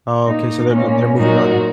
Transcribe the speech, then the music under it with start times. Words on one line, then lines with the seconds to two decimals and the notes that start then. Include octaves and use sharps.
Okay, so they're n they're moving on.
0.24 A#2 A#3 D#4
0.70 A#2 A#3 C#4
1.16 A#2 F#3 D#4 F#4 A#4